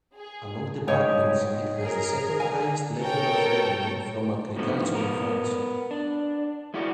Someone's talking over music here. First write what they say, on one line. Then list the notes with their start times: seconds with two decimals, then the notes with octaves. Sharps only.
Among departments, it has the second highest level of revenue from agriculture in France.
0.16 G#4
0.87 G#2 D#4 C#5 G5
1.79 G#4 A#4
2.40 G#5
2.99 A4 A#4 C#5 G5
4.56 A2 D3 D#3 F3 B3 C4
4.94 B3 A#4
5.91 D4
6.74 G#3 E4 F#4 D5